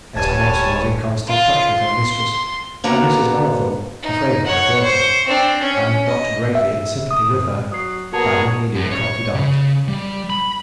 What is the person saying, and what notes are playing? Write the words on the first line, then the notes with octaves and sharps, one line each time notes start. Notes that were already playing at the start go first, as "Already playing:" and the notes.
Esther Mawson was in constant touch with her mistress, and Mrs. Mallathorpe, afraid of her daughter, and not greatly in sympathy with her, badly needed a confidante.
D1 G2 C#5 G#5 A5
F4
C6
D3 A#3 B3 F#4 A#5
D#4
C#5 F#5
C5 C#6
C4 D4
C#4
D#5
E5
D#6
F#2
F#3 D#6 C7
A#3 B3 F#4 G#4 C#5 A5 A#5
F#2
C#5
C#3
G3
B5